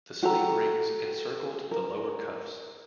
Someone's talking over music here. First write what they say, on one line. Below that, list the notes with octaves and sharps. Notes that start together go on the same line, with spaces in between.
The sleeve rings encircled the lower cuffs.
F#4 G4 A4 A#5
A#4